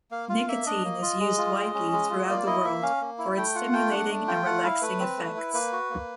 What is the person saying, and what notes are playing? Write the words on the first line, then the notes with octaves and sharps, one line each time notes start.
Nicotine is used widely throughout the world for its stimulating and relaxing effects.
A#3 F5
F4 F5
A#3 E5
D4 D#5
A#3
F4
G#3
F4
G#3
C#4
G#3
F4
A#3 D5
E4 D#5
A#3 E5
C#4 F5
A#3
E4
A3 G5
F4 F#5
A3 G5
D4 F#5
A3
F4 G5
A3 F#5
E4 F5
A3 B4
C4
A3
E4
A#3 B4
F#4
A#3